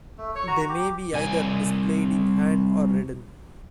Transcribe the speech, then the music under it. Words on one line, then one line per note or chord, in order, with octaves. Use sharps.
They may be either displayed in hand or ridden.
A3
C#5
F#4 A#5
G4
C2 G#5